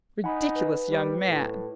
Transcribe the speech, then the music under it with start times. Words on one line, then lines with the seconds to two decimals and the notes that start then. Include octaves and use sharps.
Ridiculous young man!
0.24 D#4 F#5 G#5 B5
0.56 B4
0.88 G3
1.27 A2